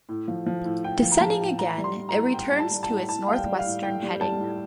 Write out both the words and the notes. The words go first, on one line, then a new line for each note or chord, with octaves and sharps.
Descending again, it returns to its northwestern heading.
A2
F3
F3
A2
A2 G5
F3
A#5
F3 A5
A2
A2 A#5
G3
C6
G3
A#5
A2
A2 G5
G3
A5
G3
A5
A2
A2 A5
G3 F5
G5
G3
F5
A2
A2 G5
G3
G3 A5
A2